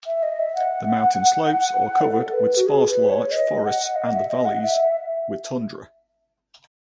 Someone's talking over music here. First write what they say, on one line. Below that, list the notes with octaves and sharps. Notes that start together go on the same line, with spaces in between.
The mountain slopes are covered with sparse larch forests and the valleys with tundra.
E5
D#5
E5
F#5
A4
B4
F#4
G#4
B4
C#5
D#5
F#5
D#5
E5
D#5
F#5
E5